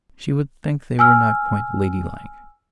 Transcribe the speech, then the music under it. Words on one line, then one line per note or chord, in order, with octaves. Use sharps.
She would think they were not quite ladylike.
G#5 E6 F6